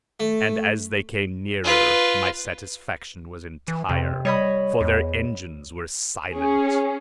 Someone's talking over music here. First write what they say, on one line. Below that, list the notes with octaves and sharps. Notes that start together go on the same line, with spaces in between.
And as they came nearer, my satisfaction was entire; for their engines were silent!
A3
F4 B4
E3
F2 C3
G3 C#5 D#5 B5
E2
C#4 G#4